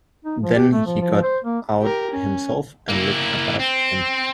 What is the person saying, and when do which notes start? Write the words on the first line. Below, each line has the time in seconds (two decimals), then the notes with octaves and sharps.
Then he got out himself and looked about him.
0.25 D#4
0.43 F3
0.56 G4
0.73 A3
0.87 F3
1.01 F3
1.23 C5
1.44 A#3
1.81 G4 A#4
2.11 C#4
2.88 A#3 E4
3.59 C4